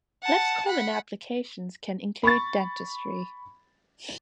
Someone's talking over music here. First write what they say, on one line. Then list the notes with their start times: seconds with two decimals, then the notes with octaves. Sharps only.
Less common applications can include dentistry.
0.23 F#5 A5
0.65 F#5 B5
2.23 B5 C#6 A6